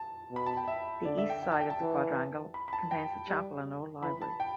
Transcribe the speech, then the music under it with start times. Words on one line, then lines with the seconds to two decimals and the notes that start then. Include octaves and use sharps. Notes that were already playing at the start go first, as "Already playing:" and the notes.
The east side of the quadrangle contains the chapel and old library.
Already playing: A5
0.31 B2
0.36 B5
0.46 A5
0.57 G5
0.68 E5
1.05 D3 D5
1.18 E5
1.30 G5
1.42 G5
1.52 A5
1.61 G5
1.70 A5
1.80 E3
2.54 B5
2.68 B5
2.73 A5
2.91 G5
3.28 G3
4.02 E3 B5
4.22 A5
4.40 G5